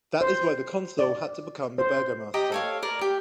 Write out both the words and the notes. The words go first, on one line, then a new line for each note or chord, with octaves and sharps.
That is why the consul had to become the burgomaster.
C5
D5
C5
G4 D#5 A#5
A4 C#5 F5
A#4 D5
G4